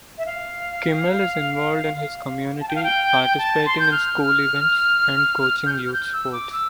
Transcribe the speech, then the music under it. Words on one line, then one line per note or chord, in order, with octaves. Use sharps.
Kimmel is involved in his community, participating in school events and coaching youth sports.
E5
F5
A5
G5
F5
G5
A5
C6
G6
F6
G6
F6
F6
G6
E6
D6
E6